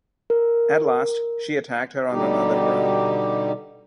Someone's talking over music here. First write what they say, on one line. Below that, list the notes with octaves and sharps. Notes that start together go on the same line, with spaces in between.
At last she attacked her on another ground.
A#4
B2 D3 G3 D#4 G4